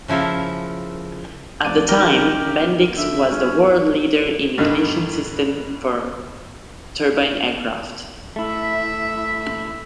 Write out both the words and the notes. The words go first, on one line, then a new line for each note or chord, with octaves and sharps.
At the time, Bendix was the world leader in ignition systems for turbine aircraft.
C#3 F3 E4 A4 A#4
F1 D5 D#7
D#3 G4 A#4
B1
D3 E5
G1 C#4
G2 B2 D3 D#3
A3 E4 E5